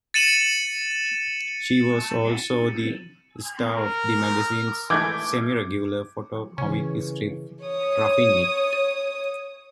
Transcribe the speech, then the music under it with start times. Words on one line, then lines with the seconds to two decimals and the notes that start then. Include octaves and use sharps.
She was also the star of the magazine's semi-regular photo comic strip "Ruffing It".
0.14 A6 C#7 D#7 E7 F#7
3.68 A#4
4.90 E3 G#3 A3 D6 G6 G#6
6.58 C#3 E3 C#4
7.62 C#5 D#6